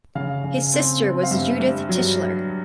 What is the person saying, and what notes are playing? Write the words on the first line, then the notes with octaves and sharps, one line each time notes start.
His sister was Judith Tischler.
C#3 F5
C#3
C4
C4
F5
G2 E5
G2
F#3